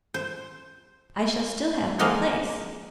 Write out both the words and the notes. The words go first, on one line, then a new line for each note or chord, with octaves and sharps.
"I shall still have my place."
C5
F3 G#3 A#3 D#5 F5 F#5